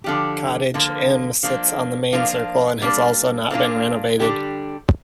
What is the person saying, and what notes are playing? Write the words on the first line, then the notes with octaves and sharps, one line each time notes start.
Cottage "M" sits on the main circle and has also not been renovated.
D3 F3 D4 G4
D3 F3 A#3
F3 A#3 D4
F3 A#3 D4 F4
G3 A#3 D4
A#2 A#3 D4 F4
D3 G3 D4 G4